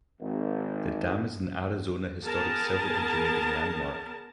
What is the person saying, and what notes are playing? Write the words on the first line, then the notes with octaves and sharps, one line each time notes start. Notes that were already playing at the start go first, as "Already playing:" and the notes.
The dam is an Arizona Historic Civil Engineering Landmark.
G#1
B3 G#4 A#4 A5